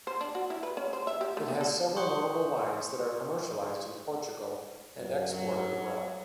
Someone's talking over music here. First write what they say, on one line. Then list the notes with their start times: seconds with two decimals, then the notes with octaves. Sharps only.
It has several notable wines that are commercialized in Portugal and exported abroad.
0.07 C5
0.21 D4
0.35 F#4
0.50 E4
0.63 B4
0.77 C#4
0.93 C5
1.07 E5
1.21 G4
1.37 A3
1.48 B3
1.61 A4
1.96 C6 C#6 D#6 F#6 G6 C#7
4.99 F#2
5.30 F#3